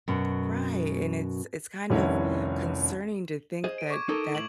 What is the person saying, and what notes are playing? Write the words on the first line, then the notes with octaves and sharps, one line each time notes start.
Right, and it's it's kind of concerning to think that that
F#2 B2
F1 C2 D#3 C#4 E4
G#4 C5 D#5
D7 D#7
C#6 D6 G#6
D#4 A4 A#4 D6
A2 F#7